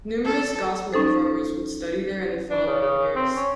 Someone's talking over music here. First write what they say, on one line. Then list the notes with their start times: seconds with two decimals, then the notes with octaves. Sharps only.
Numerous gospel performers would study there in the following years.
0.25 A4
0.93 C#4 D#4 A4 C5
2.50 D4
2.67 C#3
2.81 C#3
3.16 C4
3.36 C#4